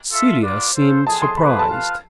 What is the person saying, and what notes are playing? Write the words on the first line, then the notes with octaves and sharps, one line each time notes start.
Celia seemed surprised.
F4 A4 E5
F4 B4 D5
F4 A4 C5
G#3 C4 G#4 A5
C6
C4 G#4 B4 B5
B5
A5
F4 B4 F5